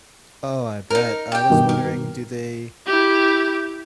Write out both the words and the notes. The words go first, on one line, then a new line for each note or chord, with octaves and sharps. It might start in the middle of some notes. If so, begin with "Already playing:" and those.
Oh, I bet, I was wondering, do they,
D#4 A#4
G4 G5
G2 B2 D#3
A#4
E4 G4